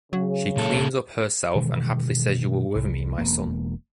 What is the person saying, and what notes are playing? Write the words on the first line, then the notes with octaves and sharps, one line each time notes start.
She cleans up herself and happily says you were with me, my son?
C#3 F#3
A#2 A4
B2 D#3 E3 G#3
C2
E1 A#3